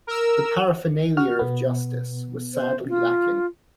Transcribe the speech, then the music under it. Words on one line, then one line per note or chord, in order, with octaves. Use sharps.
The paraphernalia of justice were sadly lacking.
A#4 E6
F#4 F6
B2 B3
C5
F4